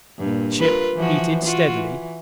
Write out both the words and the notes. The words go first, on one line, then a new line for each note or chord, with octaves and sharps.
The ship heated steadily.
G2 A#2
F4 A#4 B4
E3 F3 F#4
F4 F#4
E3